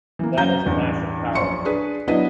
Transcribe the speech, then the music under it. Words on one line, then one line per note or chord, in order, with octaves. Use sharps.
That is a massive tower!.
E3 A#3
F#2 F#3 C#4 A#5 G6
A1 E2 G2
A#1 F#2 C#4 C6 C#6 C#7
D4 G#4 B4
F#3 B3 D4 E4 B4 D#5